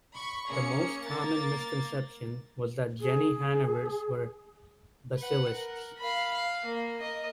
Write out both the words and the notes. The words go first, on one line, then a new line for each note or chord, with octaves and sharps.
The most common misconception was that Jenny Hanivers were Basilisks.
B5 C#6
A#3 C#4 G#4 C#7
A#3 A#4 A6
G#4
B4 F#5
A#4
F5 B5
F5
A#3
A#4 D#5